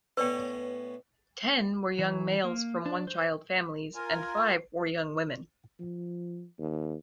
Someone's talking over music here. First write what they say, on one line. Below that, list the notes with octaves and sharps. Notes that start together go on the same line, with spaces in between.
Ten were young males from one-child families and five were young women.
A2 B3 C#4 B4 D5 G5
E3
A#3
D4
C5
F4 A#4 G#5
F3
D#2